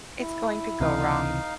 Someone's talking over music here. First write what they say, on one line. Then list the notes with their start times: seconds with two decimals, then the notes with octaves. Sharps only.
it's going to go wrong,
0.17 E4
0.80 C#2 C3 E3 D#4 F5